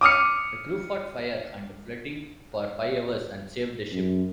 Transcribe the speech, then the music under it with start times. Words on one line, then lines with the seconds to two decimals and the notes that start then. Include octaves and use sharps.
The crew fought fire and flooding for five hours and saved the ship.
0.01 D6 D#6 F6 C#7
3.93 F#2